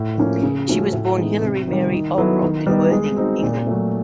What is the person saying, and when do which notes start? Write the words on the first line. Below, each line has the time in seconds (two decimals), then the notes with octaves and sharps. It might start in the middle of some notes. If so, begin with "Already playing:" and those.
She was born Hilary Mary Allcroft in Worthing, England.
Already playing: A2
0.18 F3 A#3 C#4
0.43 C#3
0.67 F3 A3 C#4 F#4
0.93 A2
1.17 E3 G#3 B3 D#4
1.42 C3
1.68 D#3 G3
1.92 D#3
2.18 F#3 B3 E4 A4
2.42 D#3
2.67 G3 B3 D#4
2.91 G#3
3.16 C4 D#4 F#4
3.42 A#2
3.67 F#3 A3